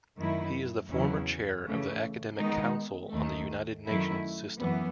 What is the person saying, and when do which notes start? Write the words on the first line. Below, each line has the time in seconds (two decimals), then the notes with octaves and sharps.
He is the former chair of the Academic Council on the United Nations System.
0.17 F#2 D#3 A3 E4
0.90 E2 C#3 F#3 C#4 E4
1.65 C#3 E3 A3
2.37 D#3 G#3 B3 D#4
3.12 D#2 D#3 A3
3.86 F#2 D#3 A3 E4
4.59 F#2 E3 B3